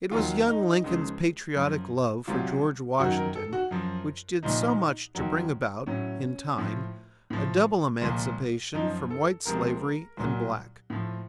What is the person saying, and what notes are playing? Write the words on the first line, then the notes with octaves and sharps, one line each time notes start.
It was young Lincoln's patriotic love for George Washington which did so much to bring about, in time, a double emancipation from white slavery and black.
D#2 D#3 F#3 F4
D#4
C#2 C#3 F3
F#2 F3
C2 C3 F#3 F4
F#2 D#3 F#3 F#4
A#4
A4
F#4
F#2 F3
C2 A#2 F3 D#4
F2 D#3 F#3
A2 F#3 C#4
A2 F3
A2 F3
C2 A#2 F3
F#2 F3 D#4
A4
C#2 C3 F3 A#4
C2 A#2 F#3
A2 F3